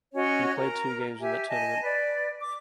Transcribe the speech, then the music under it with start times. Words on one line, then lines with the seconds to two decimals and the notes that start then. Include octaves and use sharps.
He played two games in that tournament.
0.14 C#4 F#4 C#5 D#5
0.55 A#4 A#5
1.20 G4 E5 G#5
1.48 D#5 G#5 A5
1.83 B4 D5
2.40 D6